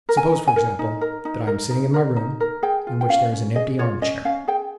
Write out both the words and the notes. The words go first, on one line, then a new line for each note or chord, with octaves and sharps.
Suppose, for example, that I am sitting in my room, in which there is an empty arm-chair.
A#4
G#5
D#4
G#5
A#4
D#4
A#4
D#4
A#4
D#4
A#4
D#4
A#4
G#4 G5
F4
G5
C#4 F5
C#4
G#4 D#5
F4 C#5
C#4 D#5
C#4 F5
G#4 G5